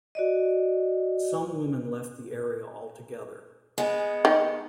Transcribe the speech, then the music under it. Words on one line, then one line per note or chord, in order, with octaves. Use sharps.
Some women left the area altogether.
F#4 D5 D#5
G#3 B3
D#3